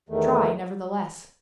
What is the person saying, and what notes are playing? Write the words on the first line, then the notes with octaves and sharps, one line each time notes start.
"Try, nevertheless."
E2 D#3 A3